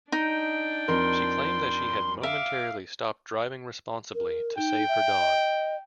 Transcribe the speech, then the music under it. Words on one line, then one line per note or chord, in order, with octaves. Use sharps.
She claimed that she had momentarily stopped driving responsibly to save her dog.
D4 D#4 G5
F2 A#4 C6
E5 F5 D6
A#4
D#4 G5
E5
D#5